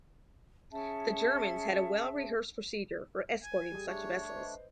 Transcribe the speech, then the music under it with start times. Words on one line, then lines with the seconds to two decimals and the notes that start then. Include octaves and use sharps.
The Germans had a well-rehearsed procedure for escorting such vessels.
0.71 C#4 G#4 E5 A5
3.43 G#5
3.72 G3 G#4
3.88 A3 D4 C#5
4.35 B4 C5 D#5